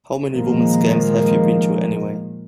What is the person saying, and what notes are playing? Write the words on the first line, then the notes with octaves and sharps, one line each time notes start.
'How many women's games have you ever been to, anyway?
A#2 D#3 F3 G#3 A#3